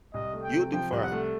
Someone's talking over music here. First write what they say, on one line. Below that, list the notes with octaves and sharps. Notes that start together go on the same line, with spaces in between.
you'll do fine.
C2 D#5
A3
G5
C3
F3 G5
C2
F#5
A3